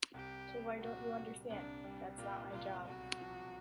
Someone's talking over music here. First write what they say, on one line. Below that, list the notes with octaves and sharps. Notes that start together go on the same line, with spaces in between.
So why don't you understand? That's not my job.
C2 G4
G3
A#2 F#4
C2
C2 D4
G3
A#2 F4
C2 F4
B1 F#4
F3